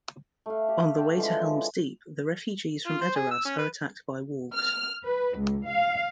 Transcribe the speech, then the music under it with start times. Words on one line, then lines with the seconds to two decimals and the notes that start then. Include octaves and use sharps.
On the way to Helm's Deep, the refugees from Edoras are attacked by Wargs.
0.46 A3 F5
0.69 G4
0.98 G5 A5
1.16 D3 E3 F3 G#3
2.86 F4
3.01 C5
3.16 G#4
3.31 E6
3.45 C#4
3.58 B4
4.55 F6
5.02 B4
5.35 C#2
5.65 F5